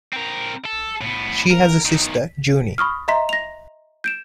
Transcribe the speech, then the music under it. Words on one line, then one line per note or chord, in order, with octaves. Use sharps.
She has a sister, Junie.
C4 A#4
A4
A2 B3
A#4
B1 D#3
B5 C#6 D#6 F6
D#5 E5 A#5 C6 B6
A#6 F7
G6 D7 E7